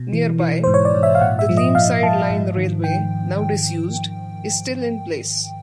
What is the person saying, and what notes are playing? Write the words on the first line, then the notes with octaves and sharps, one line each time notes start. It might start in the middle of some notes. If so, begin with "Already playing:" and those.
Nearby, the Leamside line railway, now disused, is still in place.
Already playing: B2
E3
E3
G#2 C5
C#5
D5
G#2
E5
F5
A#2 F#5
E5
F3
D#5
A#2 F5
F3 A5
G#2
D#3
D#3 G5